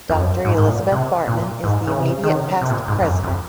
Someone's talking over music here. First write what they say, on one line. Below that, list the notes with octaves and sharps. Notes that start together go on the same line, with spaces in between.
Doctor Elizabeth Bartman is the immediate Past President.
F2
F#2
G#2
G#2
A#2
C3
A#2
G#2
C#3
C3
D#3
C#3
C3
A#2
G#2
F2
F#2
F2